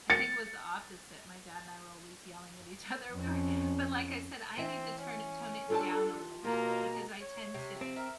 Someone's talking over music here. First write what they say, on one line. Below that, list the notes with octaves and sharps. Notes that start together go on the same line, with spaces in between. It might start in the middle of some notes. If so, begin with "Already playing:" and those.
I think it was the opposite. My dad and I were always yelling at each other. We were But like I said, I need to turn it tone it down a little bit, because I tend to
A6 C#7
F2 C#4
E3 C4 E5
C#4
D4 F4 G4 A4 A5
B2 A#3 F4 G4 A#5
C#5
C3
C4
A#4 E5